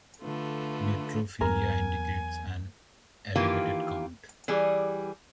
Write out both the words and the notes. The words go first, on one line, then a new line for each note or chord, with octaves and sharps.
Neutrophilia indicates an elevated count.
D3 A3 F4 B4
E2 F#3 B3 A#4 G#5
D#3 E3 A#3 F4 G4
E3 G3 G#4